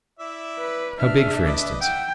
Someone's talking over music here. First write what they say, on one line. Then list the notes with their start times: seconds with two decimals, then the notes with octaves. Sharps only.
"How big, for instance?"
0.20 E4 D5 E5
0.59 B4
0.99 D4 E5 F6
1.45 B4 D5 D#5
1.81 E5 F#5 G5